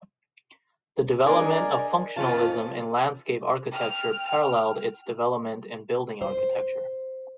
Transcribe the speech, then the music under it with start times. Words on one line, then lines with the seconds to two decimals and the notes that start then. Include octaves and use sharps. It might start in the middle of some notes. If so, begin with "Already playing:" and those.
The development of functionalism in landscape architecture paralleled its development in building architecture.
1.26 D4 G#4 A#4 D5 D#5 G#5
2.16 F2 G#2 D#3 C#4 F4 A5
3.72 G5 F6
6.22 C5